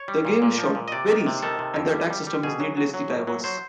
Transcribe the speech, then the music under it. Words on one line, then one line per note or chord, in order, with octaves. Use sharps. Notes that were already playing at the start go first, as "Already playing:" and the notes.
The game is short, very easy, and the attack system is needlessly diverse.
Already playing: C#5
G3
A#2
A#2
F3
A#2
D#5
C3 D5
D#3
C3
D#3 A4
C3
F2
G3
G3
G3
B2 G#4
F#3
F#3
F#3
A2
F#3
F#3 C5